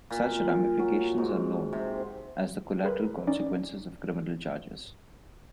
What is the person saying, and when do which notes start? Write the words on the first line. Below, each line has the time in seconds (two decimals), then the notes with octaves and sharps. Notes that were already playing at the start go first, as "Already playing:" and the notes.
Such ramifications are known as the collateral consequences of criminal charges.
0.10 A#2
0.79 F#3
1.18 G#2
1.73 C3
2.84 G#4 A#4 B4
3.27 C#4 D#4 D5